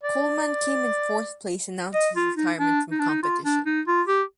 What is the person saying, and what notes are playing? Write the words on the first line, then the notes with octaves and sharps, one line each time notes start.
Coleman came in fourth place and announced his retirement from competition.
D5
D#5
F4
D#4
D4
D#4
D4
D#4
F4
D4
D#4
F4
G4